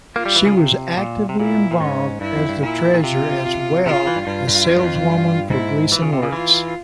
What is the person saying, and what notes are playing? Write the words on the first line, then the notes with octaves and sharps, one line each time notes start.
She was actively involved as the treasurer as well as saleswoman for Gleason Works.
A#3 F4
G3
E3
C#3
C3
A#2
C3
A#2 E4
A#2
G#2 C#4
G2 E4
F2
G2
A#2 E4
A#2
C3 F4
C3 F4
C#3
E3
G2
G2 F4
G2
F2
G2
F2
G2
G#2 E4
E3 F4
C#3
C3
C#3
E3 F4